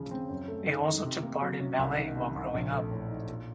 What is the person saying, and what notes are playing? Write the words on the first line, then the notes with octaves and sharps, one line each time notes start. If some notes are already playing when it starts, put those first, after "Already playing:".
They also took part in ballet while growing up.
Already playing: D#2 C#3 F3
C4
F#2
A3
D#3
D#4
C3
A#3
F#3
C#4
C2
D#3
C3
C2
A#1
A3
A2
D#4
A#2